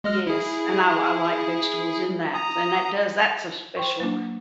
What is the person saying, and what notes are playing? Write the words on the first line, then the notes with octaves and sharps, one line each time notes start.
Yes, and I l I like vegetables in that, and that does that's a special
G#3 D#5 F6
E4 G#4
A#5 D#6
C5 G5 C6 C#6
F#3 A#3 D4